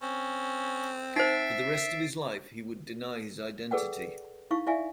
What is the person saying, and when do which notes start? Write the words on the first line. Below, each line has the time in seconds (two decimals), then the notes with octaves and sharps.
For the rest of his life he would deny his identity.
0.02 C4 C#4
1.16 D#4 C5 E5 A6 C7 D7
3.71 G#4 A4 B4 D5 F#5 G5
4.51 D#4 E4 F5 C#6
4.67 E4 D5 E5 F5 G#5